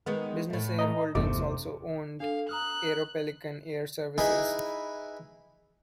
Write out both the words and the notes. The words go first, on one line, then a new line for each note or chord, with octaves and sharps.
Business Air Holdings also owned Aeropelican Air Services.
D#3 G#3 B3
A2 A3
D#5 A#5
G1 E2 C3 A3 D6
D4 A4 F5
A#5 D#6 F6 F#6
D#4 E4 G#4 B4